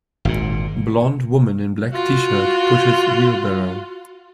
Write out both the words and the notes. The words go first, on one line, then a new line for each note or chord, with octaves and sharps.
Blond woman in black tshirt pushes wheelbarrow.
G#1 A#2
F4 F#4